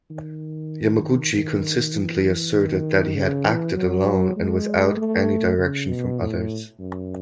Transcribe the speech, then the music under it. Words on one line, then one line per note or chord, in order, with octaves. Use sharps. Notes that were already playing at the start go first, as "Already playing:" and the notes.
Yamaguchi consistently asserted that he had acted alone and without any direction from others.
D#3
D#3
E3
E3
D#3
C#3
E3
F#3
G#3
A3
C#3
B2
A2
F#2